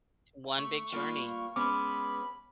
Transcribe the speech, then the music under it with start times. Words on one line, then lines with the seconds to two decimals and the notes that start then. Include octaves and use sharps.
One big journey,
0.58 A3 C#6
0.92 G2 A#3 F4
1.56 G#3 B3 C#4 B5 D6